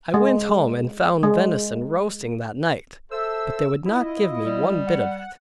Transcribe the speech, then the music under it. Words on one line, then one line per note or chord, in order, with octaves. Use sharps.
I went home and found venison roasting that night, but they would not give me one bit of it.
G#3
G#3
A4 C5 E5 E6
E4 F4 D#5
G3
F#5